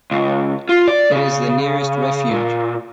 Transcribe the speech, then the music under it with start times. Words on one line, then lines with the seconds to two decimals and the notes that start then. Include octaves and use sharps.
It is the nearest refuge.
0.11 C#2
0.69 F4
0.87 D5
1.12 C#3
2.31 A#2